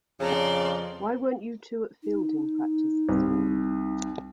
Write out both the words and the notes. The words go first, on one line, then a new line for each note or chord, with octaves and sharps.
Why weren't you two at fielding practice this morning?
F2 C#3 D5 A5 A#5 C6
D#4
C2